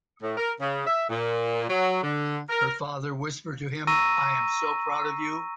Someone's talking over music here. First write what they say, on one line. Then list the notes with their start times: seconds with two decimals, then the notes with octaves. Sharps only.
Her father whispered to him, "I am so proud of you!"
0.23 A2
0.38 A#4
0.61 C#3
0.87 E5
1.10 A#2
1.69 F#3
2.03 D3
2.49 A#4
3.87 A#5 C#6 E6 A#6 D#7